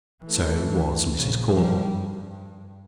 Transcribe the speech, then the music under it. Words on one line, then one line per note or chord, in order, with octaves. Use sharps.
So was Mrs. Caudle.
E3 A3
A#1 C#3
F3 G3
G2